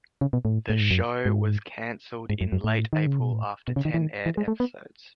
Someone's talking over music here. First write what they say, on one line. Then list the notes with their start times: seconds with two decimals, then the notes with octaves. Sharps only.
The show was canceled in late-April after ten aired episodes.
0.21 C#3
0.33 B2
0.45 A2
0.70 A2
0.80 G#2
0.91 F#2
1.25 G#2
2.30 G#2
2.41 F#2
2.52 F#2
2.64 A2
2.93 D#3
3.07 C#3
3.20 B2
3.32 A2
3.68 B2
3.76 C#3
3.85 D#3
3.94 E3
4.02 D#3
4.26 E3
4.37 G#3
4.48 A3
4.60 B3